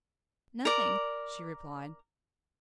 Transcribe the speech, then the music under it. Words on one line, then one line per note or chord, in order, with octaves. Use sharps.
"Nothing," she replied.
A#4 D5